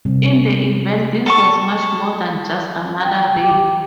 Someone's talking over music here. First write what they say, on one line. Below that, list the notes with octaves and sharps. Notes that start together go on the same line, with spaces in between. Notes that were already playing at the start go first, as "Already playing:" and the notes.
In the event, this was much more than just another raid.
C3 G3
A4 A5 C#6
G5
G4